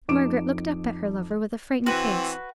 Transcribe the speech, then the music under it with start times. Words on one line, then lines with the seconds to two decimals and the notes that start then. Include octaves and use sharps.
Margaret looked up at her lover with a frightened face.
0.08 F2 D#4 D6 D7 E7
1.86 E3 C4 F#4 B4